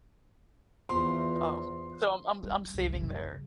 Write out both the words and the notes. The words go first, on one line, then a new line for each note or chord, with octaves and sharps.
Um, so I'm I'm saving there.
E2 B3 F4 C5 C6
G3
C2 F#3
F#2 C#3